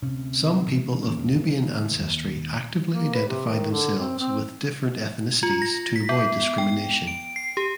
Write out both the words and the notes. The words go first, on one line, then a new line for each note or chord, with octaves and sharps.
Some people of Nubian ancestry actively identify themselves with different ethnicities to avoid discrimination.
D2 C3 C#4
C3 E3 F3 G#3
D#1 E2 A#3 C#4
D#1 C#3
D#2
A#3
B4
C3
D#3
D3
C4
C4
F4
A#6
B6
B3
G5
D7
C7
G4